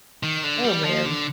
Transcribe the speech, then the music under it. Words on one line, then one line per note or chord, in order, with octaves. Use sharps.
Oh, man.
D#3
D3
G3
F3
D3